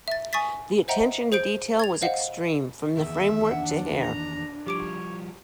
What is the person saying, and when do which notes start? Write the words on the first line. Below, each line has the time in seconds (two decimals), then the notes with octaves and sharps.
The attention to detail was extreme, from the framework to hair.
0.08 E5 A6
0.33 G#5 C#6 D#6 A6 B6
0.88 C5 D#5 E5 F#5 G5 A#5
1.32 G#4 C5 G6 D7
1.79 G#6 A6 F7
2.02 C5 D#5 F5 F#5
2.97 E2 G2 D#3 G#4 E5
3.51 D4 F#5
4.01 A#5
4.66 F3 G3 G4 C#5 D6 D7